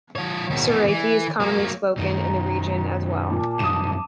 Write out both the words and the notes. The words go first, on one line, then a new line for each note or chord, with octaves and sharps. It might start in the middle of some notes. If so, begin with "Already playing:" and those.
Seraiki is commonly spoken in the region as well.
F3 C#5
D#2 B2
B2 E3
E3
F#3 A#3
F#2 D#3 A#5
A#2 A5 D6
C2 F#2 D#6 D#7 E7